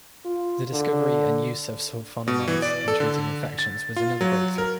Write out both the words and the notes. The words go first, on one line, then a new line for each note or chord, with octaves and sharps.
The discovery and use of sulfonamides in treating infections was another breakthrough.
F4
D3
B2
E3
D5
A4
D3
A6
F4
F#3
A#4